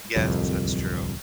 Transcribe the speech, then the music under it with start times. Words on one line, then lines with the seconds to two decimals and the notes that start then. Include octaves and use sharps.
Yes, that's true.
0.16 D1 C2 F2